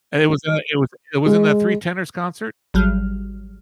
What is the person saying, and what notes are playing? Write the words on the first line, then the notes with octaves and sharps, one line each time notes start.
And it was in, uh, it was it was in the Three Tenors concert,
G#3
G#1 F#3 G3 F6